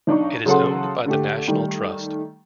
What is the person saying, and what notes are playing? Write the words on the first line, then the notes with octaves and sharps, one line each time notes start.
It is owned by the National Trust.
B1 D4 D#4 C#6
C#3 F#3 A4 F#5 C6
D3 A3 G4
D#3 G3 A3